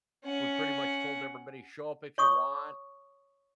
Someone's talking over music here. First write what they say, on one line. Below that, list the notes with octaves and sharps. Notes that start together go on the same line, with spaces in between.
we pretty much told everybody, "Show up if you want"
C#4 F#5
C#5 C#6 D#6